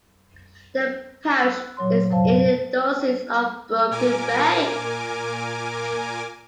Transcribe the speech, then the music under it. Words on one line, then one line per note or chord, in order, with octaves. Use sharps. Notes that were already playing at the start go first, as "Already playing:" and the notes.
The parish is in the Diocese of Broken Bay.
E6 F#6
A#2 F#3 C#5 C6
F#2 C3 F#3 C5 F5 A5
A#2 A#4 G#5 D6